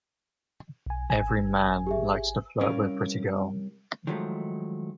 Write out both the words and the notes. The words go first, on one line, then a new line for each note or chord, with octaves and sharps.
Every man likes to flirt with a pretty girl.
B1 G#5
G#1 G#5
G4 G#4 E5
C2 G3 C#4 A#4 F5
D#3 F3 F#3 G#3 A3